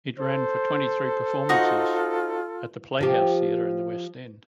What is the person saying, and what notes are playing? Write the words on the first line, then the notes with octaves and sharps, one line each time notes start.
It ran for twenty three performances at the Playhouse Theatre in the West End.
A4 C5
D#4 F4 F#4 D#5
F3 G4